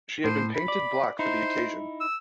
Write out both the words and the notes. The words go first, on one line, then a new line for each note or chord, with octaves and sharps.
She had been painted black for the occasion.
A2 C5
B5
D5
D#4 E4 C5
E6